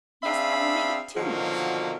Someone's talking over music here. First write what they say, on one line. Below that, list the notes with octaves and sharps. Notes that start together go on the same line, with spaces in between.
Yes, I will make it two months.
C4 D4 G#4 E5 F5 B5
B2 D3 D#3 F3 F#3 A#3